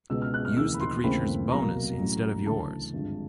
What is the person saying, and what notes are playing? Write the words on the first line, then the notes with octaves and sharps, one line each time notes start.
Use the creature’s bonus instead of yours.
C#2 B2 G#3 B3 E6
F6
F#6
F6
F1 D#2 C#3 E3 E6
B5
C6
D#2 C#3 E3 A3 C4 B5
C2 B2 F#3 A#3 A#5
A1 A2 F#3
D2 C#3 E3 A5
G#1 G2 D3 F3 G#3